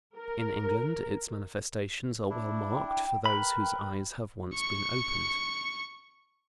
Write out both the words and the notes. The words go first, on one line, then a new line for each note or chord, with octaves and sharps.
In England its manifestations are well marked for those whose eyes have once been opened.
A#4
D4 E4
G5
A#4 B4 G5 B5
C#6 C#7